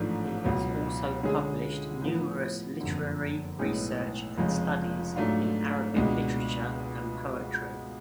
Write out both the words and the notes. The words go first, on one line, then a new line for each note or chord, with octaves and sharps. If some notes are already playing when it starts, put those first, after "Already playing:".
He has also published numerous literary research and studies in Arabic literature and poetry.
Already playing: A1 G#2 F3 A3 D4
C#2 B2 F#3
D3 G#3 C#4 G#4
A2 F3 B3
F#1 F2 D3
B1 A2 G#3 B3
F1 F2 C#3 G#3
G#2 F#3 A3 D4 F4
C#2 B2 G#3 D4